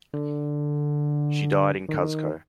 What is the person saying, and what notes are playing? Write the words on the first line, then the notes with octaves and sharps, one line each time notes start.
She died in Cuzco.
D3
D#3
D3
D#3